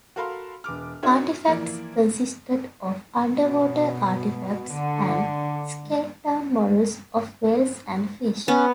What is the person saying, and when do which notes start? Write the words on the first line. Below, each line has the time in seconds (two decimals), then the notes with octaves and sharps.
Artifacts consisted of underwater artifacts and scaled-down models of whales and fish.
0.16 F#4 A4 A#4 F5 B5 C6
0.64 E1 B4 D6 F6
1.03 D4 D#4 F#4 A#4 C#5 E5
1.47 E3 F3 A#3 E4 D5
3.33 B2
4.74 D3
8.48 B3 C#4